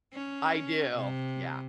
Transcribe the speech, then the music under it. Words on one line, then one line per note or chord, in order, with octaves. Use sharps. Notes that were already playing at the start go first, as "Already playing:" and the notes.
I do. Yeah.
C#4
C3